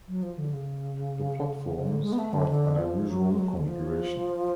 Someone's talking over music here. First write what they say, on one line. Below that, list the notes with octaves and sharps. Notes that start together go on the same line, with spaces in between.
The platforms have an unusual configuration.
F#3
F3
D3
C#3
C#3
D3
G#3
B3
A3
D3
D3
F3
F#3
G#3
F#3
D3
F3